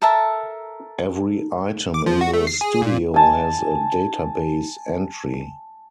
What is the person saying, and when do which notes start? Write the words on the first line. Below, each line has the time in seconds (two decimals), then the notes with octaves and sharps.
Every item in the studio has a database entry.
0.02 A4 A#4 E5 A5
1.94 D6
2.06 F3
2.21 F#4
2.34 A3
2.47 C7
2.61 G#4
2.82 A#2
3.14 G#5 A5